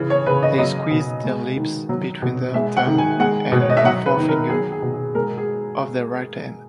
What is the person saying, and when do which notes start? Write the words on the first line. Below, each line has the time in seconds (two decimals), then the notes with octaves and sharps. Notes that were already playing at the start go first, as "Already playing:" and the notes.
They squeezed their lips between their thumb and forefinger of their right hand.
Already playing: C#3 E3
0.10 C#5
0.26 C#3 B4
0.43 D#5
0.58 F#3 D#5
0.91 B2
1.24 G#3
1.56 D#3
1.89 F#3
2.22 B2
2.54 G#3 E5
2.77 F#5
2.87 D#3
2.98 G#5
3.19 G#3 F#5
3.52 B2
3.61 C#5
3.70 D#5
3.77 E5
3.84 F#3 F#5
4.06 B4
4.17 D#3
4.29 A#4
4.49 F#3 G#4
4.72 G#4
4.82 B2
4.94 G#4
5.15 G#3 A#4
5.37 G#4